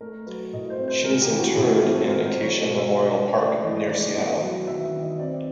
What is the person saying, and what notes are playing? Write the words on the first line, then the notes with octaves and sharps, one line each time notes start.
She is interred in Acacia Memorial Park near Seattle.
A3 A#4
F#3 B4
A2 D#5
C5
C4
C5
G#3 A#4
G4
E3
F#4
A2 E4
F#4
F4
C4
A4
B3 A#4
C5
F#3
C#5
B2 D#5
E5
B2
D#5
C#4 D5
A3 D5
E3 D#5
E3 D5
B3 D#5
F#3
D#3 E5
E5
D#3
D#5
C4 D5